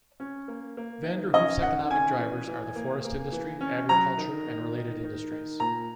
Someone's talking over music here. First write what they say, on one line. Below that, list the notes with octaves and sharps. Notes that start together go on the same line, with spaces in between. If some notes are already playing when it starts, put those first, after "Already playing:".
Vanderhoof's economic drivers are the forest industry, agriculture, and related industries.
C#4
A#3
A#3
D#3
C#4 D#5
D#3 F#5
C#4 G#5
E3
E3
A#3
A#3
E3
C#4
F#3 A#5
D#3
D#3
D#3
D#3
D#3
A#2 A#5